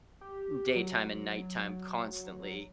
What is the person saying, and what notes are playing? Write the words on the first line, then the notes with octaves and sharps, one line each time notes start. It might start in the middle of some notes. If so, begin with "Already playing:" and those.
m daytime and nighttime constantly,
G4
F#3